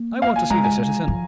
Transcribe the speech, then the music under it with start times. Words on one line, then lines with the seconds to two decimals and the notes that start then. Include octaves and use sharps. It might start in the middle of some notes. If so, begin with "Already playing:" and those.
I want to see the citizen.
Already playing: A#3
0.22 F5
0.36 G#5
0.50 G#3 A#5
0.64 G#5
1.08 F3